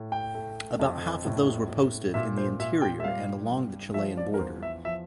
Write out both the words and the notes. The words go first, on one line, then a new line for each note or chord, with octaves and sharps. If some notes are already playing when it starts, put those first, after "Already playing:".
About half of those were posted in the interior and along the Chilean border.
Already playing: A2
G5
A3
F2
A2
A2
A#2 E5
C5
A#2 E5
G5
E5
G3 F5
G2
F3 E5
D5
A#4
E2 C5
E5
F3 E5